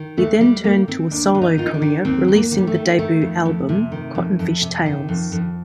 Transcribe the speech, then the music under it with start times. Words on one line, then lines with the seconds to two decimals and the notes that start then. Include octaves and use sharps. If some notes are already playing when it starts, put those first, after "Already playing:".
He then turned to a solo career, releasing the debut album, "Cottonfish Tales".
Already playing: D#3
0.17 D#2 A3
0.41 D#2 G3
0.64 D#3 A#3
0.88 D#3 C4
1.11 D#2 D4
1.35 D#2
1.42 D#4
1.58 D#3 F4
1.66 D#4
1.74 D4
1.82 D#3
2.05 D#2 C4
2.28 D#2
2.36 A#3
2.51 D#3
2.58 G3
2.67 A3
2.74 D#3
2.99 D#3 A3
3.21 F2
3.45 F2
3.69 C3
3.92 D#3
4.15 F2
4.39 F2
4.62 C3
4.86 D#3
5.09 F2
5.32 F2